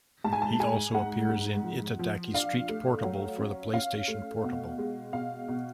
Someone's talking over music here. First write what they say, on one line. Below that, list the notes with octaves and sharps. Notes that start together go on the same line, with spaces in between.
He also appears in "Itadaki Street Portable" for the PlayStation Portable.
G#2 A5
G#5
A5
G#3 G#5
G#2 F#5
G#2
F3
F3
D4 F5
A3
F#3
C#4
C#4 F5
A3
B2
G#3
B2 F5
B2